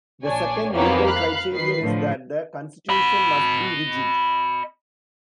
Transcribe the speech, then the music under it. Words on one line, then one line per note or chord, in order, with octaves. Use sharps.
The second legal criterion is that the constitution must be rigid.
A#1 D4 C#5 G#5
F2 C3 A#3 B3 C#4 D#4
F5 B5 F#6
D#3 B4 C7
A2 D3 F3
D#5 B5